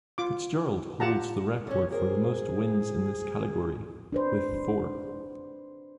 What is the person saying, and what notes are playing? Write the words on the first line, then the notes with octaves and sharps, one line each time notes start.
Fitzgerald holds the record for the most wins in this category, with four.
F4 D6
F4 G4 F#5 A5 A#5
D3 C#4 C#5
C3 G#4 A#4 C5
D4 B4 C5